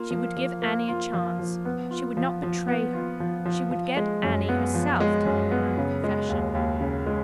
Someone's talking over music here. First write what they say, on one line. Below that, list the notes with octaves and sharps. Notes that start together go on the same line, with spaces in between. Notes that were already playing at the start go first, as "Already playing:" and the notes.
She would give Annie a chance, she would not betray her, she would get Annie herself to make her own confession.
Already playing: A#3 F4
F3
F3
A#3
F4
F3
F3
B3
F4
F3
F3
B3
F4
F3
F3
F3
G#3
F#2
B3
F3
G#3
F#2
B3
C#3
G#3
D#2
D#2
C#3
G#3